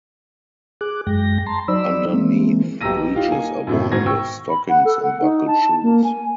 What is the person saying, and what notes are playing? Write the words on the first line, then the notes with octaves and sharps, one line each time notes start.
Underneath, breeches are worn with stockings and buckled shoes.
G#4 D6 F#6
F#2 G#3 G5 A#6
A5 A#5 C6
F#3 D#4 C5 D5 B5 E6
E3 G#3 A#3 C4
B1 G4 A#5 E6 A#6 D#7
D#4 F4 G4
A#3 D#4 G#5
F#2 A2 C3
G#2 B2 D#3 C5 G#6 A#6
G5 C#6 E6
B5
F#5
A4
F#5
D#4
A5
A#3
G#5